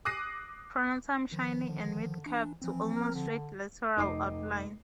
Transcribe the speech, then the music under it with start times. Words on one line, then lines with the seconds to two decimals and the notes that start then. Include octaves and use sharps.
Pronotum shiny and with curved to almost straight lateral outline.
0.05 D6 D#6 F#6 A#6 C7 D#7
1.32 D#3 F3
1.61 D3
2.26 E3 D4
2.62 E3 F3 C4
2.96 A#4
3.14 D3
3.96 F1 D#4 D#5 D6 C7